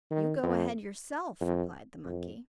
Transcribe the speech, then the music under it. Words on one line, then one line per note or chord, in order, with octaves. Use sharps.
"You go ahead yourself," replied the monkey.
D#3
F2
F2
F2